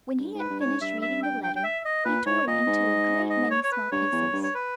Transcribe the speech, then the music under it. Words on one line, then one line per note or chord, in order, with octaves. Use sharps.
When he had finished reading the letter he tore it into a great many small pieces.
G2
G#2
B4
G2
G#2 C#5
G2 E5
E5
G5
G5
G5
E5
D#5
A#2 B4
G#2 C#5
A#2 D#5
G#2
D#5
C#5
C#5
B4
G2 C#5
E2
G2
C#5
B4